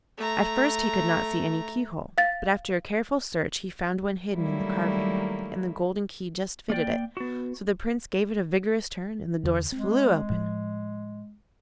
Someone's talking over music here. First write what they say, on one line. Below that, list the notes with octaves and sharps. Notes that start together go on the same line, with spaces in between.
At first he could not see any keyhole, but after a careful search he found one hidden in the carving, and the golden key just fitted it; so the Prince gave it a vigorous turn and the doors flew open.
A3 A#5
F5 A6
D#3 F#3 G3 A3 A#3 E4
A#3 D5 G5
B3 F#4
E2 D3
G#3 C4
A2 F3